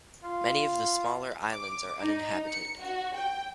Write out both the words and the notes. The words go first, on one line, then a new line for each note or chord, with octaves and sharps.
Many of the smaller islands are uninhabited.
F4
D6
D#4
C#7
F#4
G5